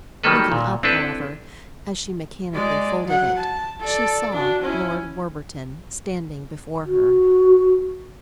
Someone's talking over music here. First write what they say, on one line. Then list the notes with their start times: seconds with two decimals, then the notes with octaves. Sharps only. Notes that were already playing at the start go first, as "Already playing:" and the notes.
Looking up, however, as she mechanically folded it she saw Lord Warburton standing before her.
0.24 D#3 F#3 G3 A#3 A4 B4
0.52 A#2
0.83 C4 D4 E4 A4 B4
2.53 G#3 D5
3.04 F#3 F#5
3.37 A5
3.80 A4 D5
4.33 D4 F#4
4.62 C#4 E4
6.86 F#4